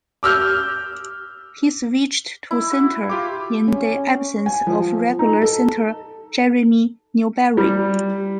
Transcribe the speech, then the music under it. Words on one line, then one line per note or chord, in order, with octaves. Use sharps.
He switched to center in the absence of regular center Jeremy Newberry.
D6 E6 F6 G6
E4
F#4
F4 G4 D6
C#4
G#5
F3
D#4
A4
G3